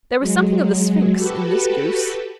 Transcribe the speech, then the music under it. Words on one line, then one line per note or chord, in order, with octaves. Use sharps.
There was something of the Sphinx in this goose.
F#3 G#3
F#4 G4 A4 B4